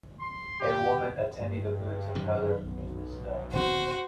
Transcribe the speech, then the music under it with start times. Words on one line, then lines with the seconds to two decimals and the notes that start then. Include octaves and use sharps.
A woman attending the boots of another in the snow.
0.20 C6
0.59 G4
1.40 G2
2.15 F#2 C3 D#3
2.64 B1
3.53 D#1 B2 C4 F#4 C5